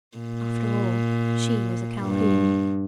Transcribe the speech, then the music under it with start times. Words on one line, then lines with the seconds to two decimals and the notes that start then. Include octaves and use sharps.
After all, she was a Calhoun.
0.17 A#2
2.02 G2